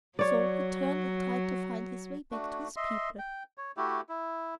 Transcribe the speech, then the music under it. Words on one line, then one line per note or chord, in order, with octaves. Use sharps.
So he turned and tried to find his way back to his people.
F#3 C#5 D5
A3 D4 F#4
D#5 E5 C6
G5
C#5
A3 E4 F#4 G4
E4